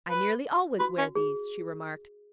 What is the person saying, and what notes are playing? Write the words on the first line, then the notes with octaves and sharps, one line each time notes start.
"I nearly always wear these," she remarked.
B4
F#4 B4
C#4
G#4